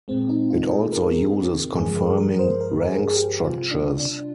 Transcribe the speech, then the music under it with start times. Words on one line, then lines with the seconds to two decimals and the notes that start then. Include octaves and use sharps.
It also uses conforming rank structures.
0.08 A#2 G#3 C4
0.29 D#4
0.50 F4
0.71 G#4
0.92 A#4
1.76 G2 D3 F3 G#3 G#4
1.96 A#4
2.17 A#4
2.39 C5
2.61 A#4
2.81 A#4
2.87 G#4
3.11 G#4
3.16 G4
3.43 C3 G3 F4
3.71 D4
4.00 D4